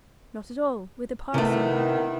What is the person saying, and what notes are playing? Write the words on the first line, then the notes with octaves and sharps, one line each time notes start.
"Not at all; with a parson."
C3 D#3 A3 B3 E4